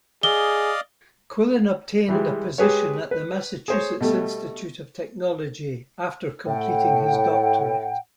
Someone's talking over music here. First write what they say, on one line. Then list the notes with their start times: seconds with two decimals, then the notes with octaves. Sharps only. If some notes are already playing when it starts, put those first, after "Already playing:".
Quillen obtained a position at the Massachusetts Institute of Technology after completing his doctorate.
0.23 G#4 D5 D#5 F5 G7
2.09 E3 G3 G#3
2.58 G#3 G4 G#4 B4 C#5
3.11 B4
3.68 G#4 C5 C#5
4.00 B2 G3 A3
6.47 A2 F#5 G5